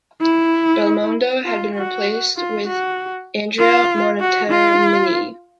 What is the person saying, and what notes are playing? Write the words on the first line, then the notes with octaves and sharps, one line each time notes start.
Belmondo had been replaced with Andrea Montermini.
E4
F4
F#4
F4
F#4
F4
F#4
F4